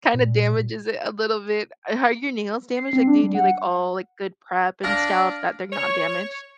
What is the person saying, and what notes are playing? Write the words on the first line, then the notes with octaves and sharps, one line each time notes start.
kinda damages it a little bit. Are your nails damaged? Like, do you do like all like good prep and stuff that they're not damaged.
A#2
C7
C4
D4
G3
F#5
D4 F5 F6 A#6
C#5